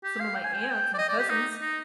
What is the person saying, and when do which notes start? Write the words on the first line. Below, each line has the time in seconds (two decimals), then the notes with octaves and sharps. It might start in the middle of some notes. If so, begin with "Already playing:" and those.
some of my aunts and cousins.
0.04 G4
0.20 F5
0.35 G5
0.44 G#5
0.53 G5
0.62 G#5
0.71 G5
0.94 D5
0.98 D#5
1.09 D5
1.19 G4
1.29 D#4
1.61 D#4